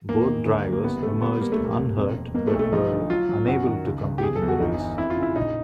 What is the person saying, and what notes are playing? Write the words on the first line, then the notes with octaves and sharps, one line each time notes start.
Both drivers emerged unhurt but were unable to compete in the race.
E2 A#3
D#3
D2
G3
A#3
F#1 B3
D3 A3
G3 B3
G3 A#3
A3
E1 A#3
E1
F2
F2
B2 A#3
A3
B1
A3
F3 D#4
D3
F#3 F4
F#3
F#2 F#4
D#3
C#2
C#2
G4
E2 G#4
A4
E2
F#4
G1 D#4
E3
F2 E4
F4
C#3
E4
A#1 D#4